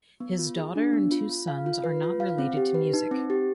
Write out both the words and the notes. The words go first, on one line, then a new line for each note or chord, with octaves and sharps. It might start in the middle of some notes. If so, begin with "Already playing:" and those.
His daughter and two sons are not related to music.
B3
F4
G#4
D4
B3
F4
F4
F5
F4
B4
F4
F5
C4
G4
B4
D#4
C4
G4